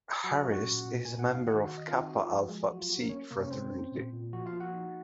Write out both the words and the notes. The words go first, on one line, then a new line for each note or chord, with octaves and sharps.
Harris is a member of Kappa Alpha Psi fraternity.
F#3 F#4 F#5
F#4 F#5
C#4
F#4 F#5
A#2
A#2
A#3 G#5
F#5
D#4
F5
D#3 F#4 F#5
D#3
D#5
C4 F4 F5
D#4 D#5
D#4 F#4
F4
F3
F#4
F3 G#3 G#4
F#3 F#4
F4
A#3 F#4
A#3 A#4
C#4 C#5
C3 A#3 A#4
C#4 C#5
G#3 C4 C5
C#4
A#2
A#2
F3 F#4
F4 F5
A#3
F#4 F#5
D#4